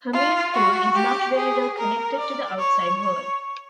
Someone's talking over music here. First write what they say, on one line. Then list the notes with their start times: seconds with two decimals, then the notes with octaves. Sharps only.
Hamirpur is not very well connected to the outside world.
0.13 F4
0.53 F#4
0.94 G4
1.36 G#4
1.77 A#4
2.18 D5
2.59 C#5
3.00 C#5